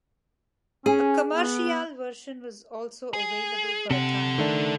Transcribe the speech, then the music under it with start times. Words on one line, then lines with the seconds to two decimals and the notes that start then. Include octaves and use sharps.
A 'Commerciale' version was also available for a time.
0.86 C#4 G#4
1.32 B3
3.13 G#4
3.91 C3 A4 F#5
4.38 D#3 A3 D4